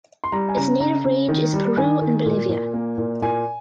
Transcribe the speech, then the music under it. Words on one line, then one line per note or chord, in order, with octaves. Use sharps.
Its native range is Peru and Bolivia.
C6
G3 A#5
G#5
C#3 A#5
C#3 A#5
C#3
D#3
G3
D#3 G#5
D#3
A#2
A#2
A#3
A#2
A#2 G#5